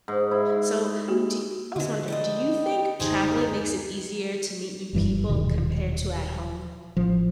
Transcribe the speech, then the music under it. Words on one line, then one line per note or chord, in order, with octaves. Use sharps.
So, do I was wondering, do you think traveling makes it easier to meet new people compared to at home?
G#2
E4
A#3 F#4 G4
D3 E3 G#3
G3 A4 D#5
G5
F#1 D2 E3 D#4 F4 G#4 C5
F#1 G2 E3 G3
D#1 B2 D#3
A1 F3